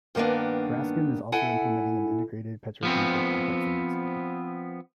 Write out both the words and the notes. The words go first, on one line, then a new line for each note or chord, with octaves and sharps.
Braskem is also implementing an integrated petrochemical complex in Mexico.
G2 D#3 A#3 B3 D4
E4 A4 F#5 G#5
F3 B3 C4